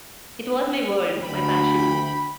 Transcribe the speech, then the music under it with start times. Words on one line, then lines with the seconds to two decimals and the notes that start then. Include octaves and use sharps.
It was my world, my passion.
1.23 D2 G5 B5